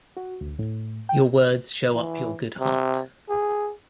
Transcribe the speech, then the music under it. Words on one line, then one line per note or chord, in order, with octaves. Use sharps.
Your words show up your good heart.
F#4
D2
A2
G5
E3
C3
G#4